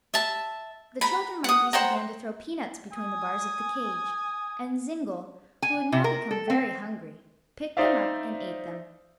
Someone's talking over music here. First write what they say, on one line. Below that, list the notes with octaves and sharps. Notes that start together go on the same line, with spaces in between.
The children-monkeys began to throw peanuts between the bars of the cage, and Zingle, who had now become very hungry, picked them up and ate them.
E5 A5
A#5 B5
F#5 D#6
C5 F#5 G5 A#5
G#5 D#6
G#5
C3
A#4
A4
C4
D#4 C5 D5 E5 F5